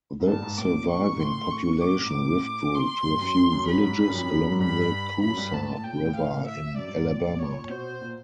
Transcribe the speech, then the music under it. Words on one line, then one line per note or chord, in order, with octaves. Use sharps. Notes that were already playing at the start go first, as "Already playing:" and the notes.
The surviving population withdrew to a few villages along the Coosa River in Alabama.
G#2
G2 A5
G#2
A2 D6
A#2
C#6
G#2
A2 C6
C#6
A#2 D6
A2
G#2
A2
C6
G2
F#2
F2
F#2
F#2 B5
G#2
G2
F#2
F2
F#2
G#2
G2 B5
F#2 B5
G2
G#2 A5
A2
A#2 G5
C3
A2
F5
E5
F#2 D5
G2
G#2
A#2
A2
A#2
C#5
A#2
B2 C5
A#2